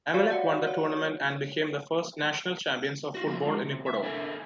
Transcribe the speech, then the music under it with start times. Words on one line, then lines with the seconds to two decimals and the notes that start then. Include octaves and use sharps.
Emelec won the tournament and became the first national champions of football in Ecuador.
0.14 F#4 G4 C#5 D5 F5
0.31 D5 F#5 C#7
0.67 C#5
3.15 F4 F#4
3.27 F3 A#3 F4
3.41 C#3 G#3
3.64 C3
3.86 E5
4.03 D4 A4 A#4 G#5